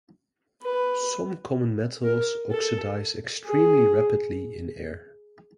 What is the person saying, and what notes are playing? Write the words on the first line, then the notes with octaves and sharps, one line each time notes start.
Some common metals oxidize extremely rapidly in air.
B4
A#4
A4
G#4